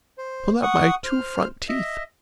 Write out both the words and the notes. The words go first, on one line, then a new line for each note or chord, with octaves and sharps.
Pull out my two front teeth!
C5
F#5 C#6 D#6
C5 F6
D#5 E5